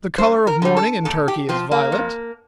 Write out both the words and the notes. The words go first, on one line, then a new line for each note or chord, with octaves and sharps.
The color of mourning in Turkey is violet.
G2 C5
A#4
D3 G3
A4
A#2 A4
G4
F3 C4
A#3
F2